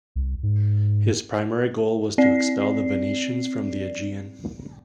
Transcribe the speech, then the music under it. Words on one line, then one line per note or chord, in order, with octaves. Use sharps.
His primary goal was to expel the Venetians from the Aegean.
C2
G#2
C4 D5 C7